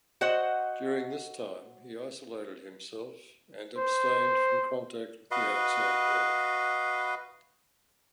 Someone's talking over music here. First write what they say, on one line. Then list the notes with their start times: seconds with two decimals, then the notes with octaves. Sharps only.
During this time, he isolated himself and abstained from contact with the outside world.
0.21 F#4 C5 D#5 F#5
3.77 C5
5.31 F#4 B4 D#5 F5